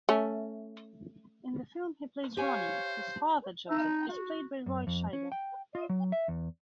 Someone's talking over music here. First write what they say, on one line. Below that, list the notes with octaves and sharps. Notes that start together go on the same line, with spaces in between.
In the film he plays Ronnie, whose father, Joseph, is played by Roy Scheider.
A3 C#4
G4 C5 C#5 F5 G#5
D#4
F#4
F#2
F2
C#4
G5
F4
F#3
E5
E2